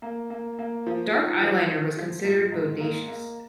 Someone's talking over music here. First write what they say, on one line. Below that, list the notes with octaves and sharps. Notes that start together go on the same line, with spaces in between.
Dark eyeliner was considered bodacious.
A#3
A#3
A#3
F3
D#4
F3
F3
F3
G#2
G#2
A#3
A#3